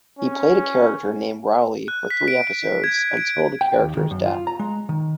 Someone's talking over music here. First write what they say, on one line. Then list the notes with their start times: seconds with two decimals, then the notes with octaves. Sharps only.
He played a character named Rauli for three episodes, until the character's death.
0.19 C#4
1.88 F#6
2.10 B6
2.28 D7
2.84 G#6
3.17 D7
3.61 G5
3.79 D#2
3.97 D#3
4.11 F#2
4.26 F4
4.47 A#5
4.59 G#3
4.89 D#3